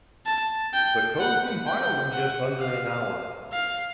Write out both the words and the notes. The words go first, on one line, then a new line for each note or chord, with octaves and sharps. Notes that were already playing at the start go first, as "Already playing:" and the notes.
The code compiled in just under an hour.
A5
G5
F#5
G5
F#5
F5
F5